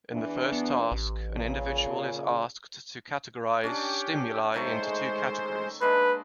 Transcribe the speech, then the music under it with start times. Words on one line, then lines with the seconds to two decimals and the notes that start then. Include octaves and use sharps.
In the first task, an individual is asked to categorize stimuli into two categories.
0.12 E2 E3 D4
0.52 B3
0.92 A1
1.34 A#2 C#3
3.64 C#4 D4 G4 D5
4.54 D#3 G#3 A3 C5 C#6
5.81 G#3 A#3 D4 B4